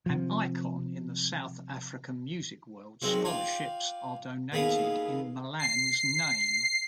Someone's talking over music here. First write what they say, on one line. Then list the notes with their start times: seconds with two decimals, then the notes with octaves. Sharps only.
An icon in the South African music world, scholarships are donated in Malan's name.
0.06 C3 F3
3.02 B1 D#3 G#3 C4 F#4
3.25 F4 D5 G5 G#5 D6
4.52 D#2 B3 G#4 F5 D#6
5.59 C7